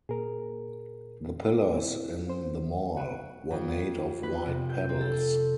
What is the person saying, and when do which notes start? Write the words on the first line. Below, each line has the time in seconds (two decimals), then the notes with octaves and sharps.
The pillars in the mall were made of white pebbles.
0.09 A#2 G#4 A#4
1.74 C4 E4
2.30 C5
2.97 F#4
3.51 F2
4.23 B4
4.46 C3
4.69 G6
4.89 C4
5.01 A4